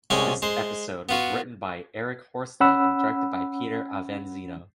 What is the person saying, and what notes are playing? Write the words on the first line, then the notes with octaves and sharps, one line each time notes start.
This episode was written by Eric Horsted and directed by Peter Avanzino.
C2 G#3 C#4 G5 G#5
G#3 C5
B3 F4 F#4
C#4 F#5 B5 E6